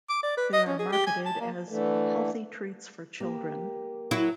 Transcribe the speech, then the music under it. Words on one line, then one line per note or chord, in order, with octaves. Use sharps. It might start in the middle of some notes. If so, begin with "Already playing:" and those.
They are marketed as healthy treats for children.
D6
D5
B4
D#5
C#4
G#4
G4
G#5
A5
A#3
D3 E3 A3
A#3 G4
F#3 E4